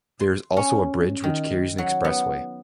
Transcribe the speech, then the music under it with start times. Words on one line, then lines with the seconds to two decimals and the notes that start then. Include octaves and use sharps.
There is also a bridge which carries an expressway.
0.20 C6
0.57 C#4
1.24 D#3
1.78 F#3
2.05 B3